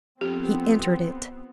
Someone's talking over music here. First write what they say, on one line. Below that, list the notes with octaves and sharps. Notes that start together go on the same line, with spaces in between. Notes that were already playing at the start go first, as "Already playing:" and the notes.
He entered it.
F2 B3 C4 G4